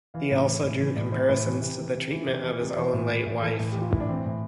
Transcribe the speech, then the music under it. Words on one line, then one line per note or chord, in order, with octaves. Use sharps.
He also drew comparisons to the treatment of his own late wife.
E3 F5
A2
E3
A2
E3
A2 D5
E3 C5
A2 B4
E3 B4
C3
E3
C3
E3
C3
E3
C3
D5
E3 C5
A2
E3
A2
E3 A4
A2
E3 G4
F4
A2 E4
D4
E3 C4
A2